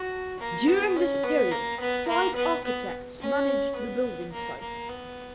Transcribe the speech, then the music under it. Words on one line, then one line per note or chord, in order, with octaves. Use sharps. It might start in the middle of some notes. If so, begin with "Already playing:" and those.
During this period, five architects managed the building site.
Already playing: F#4
A#3
B3
C#4
B3
A#3
B3
A#3
B3
B3
C#4
B3
A#3
A#3
B3